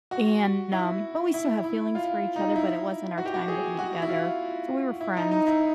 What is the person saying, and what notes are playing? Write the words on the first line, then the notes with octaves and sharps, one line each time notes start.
And, um, but we still have feelings for each other, but it wasn't our time to be together, so we were friends.
F#4
E4
E4
E4
F4
D#4
E4
F#4
G4
F#4
G#4
F#4
E4
F4
E4
D#4
D#4
E4